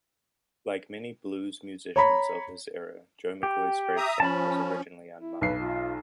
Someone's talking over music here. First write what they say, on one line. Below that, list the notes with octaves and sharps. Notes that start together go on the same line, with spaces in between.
Like many blues musicians of his era, Joe McCoy's grave site was originally unmarked.
C#5 A#5 B5
G4
E5 A#5 D#6
F3 C#4 A5 B5
E4
B1 B4 C7
F4